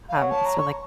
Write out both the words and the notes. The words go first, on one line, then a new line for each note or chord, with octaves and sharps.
um, so, like,
F5
C#5 F#5
A5
A#5
C#6